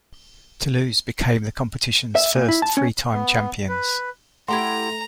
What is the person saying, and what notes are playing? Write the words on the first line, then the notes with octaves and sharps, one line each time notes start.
Toulouse became the competition's first three-time champions.
E5
A#2
E4
A5
C#4
B3
B4
A3 E4 G4 F#5 A#5 C6